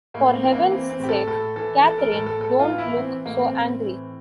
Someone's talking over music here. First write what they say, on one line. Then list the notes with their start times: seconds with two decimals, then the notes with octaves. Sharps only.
For heaven’s sake, Catherine, don’t look so angry!
0.14 A2 A#3
0.33 C4
0.43 E3
0.52 A#3
0.71 E3 C4
0.90 C4
0.99 A2 G4
1.09 A4
1.27 A2 A4
1.56 E3 A4
1.84 E3 A4
1.98 A#4
2.12 A2 A4
2.26 A4
2.40 A2 A4
2.59 F4
2.69 E3
2.78 E4
2.97 E3 C4
3.25 A2 A#3
3.39 C4
3.54 A2 C4
3.82 E3